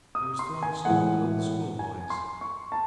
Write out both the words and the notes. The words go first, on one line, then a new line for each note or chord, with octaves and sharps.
He was throwing stones with other schoolboys.
D#6
C6
G#5
A2 E3 G#3 F#5
G#5
C6
C#6
A5